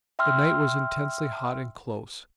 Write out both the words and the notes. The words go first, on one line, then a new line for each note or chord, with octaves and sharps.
The night was intensely hot and close.
E5 G5 C6 E6 F6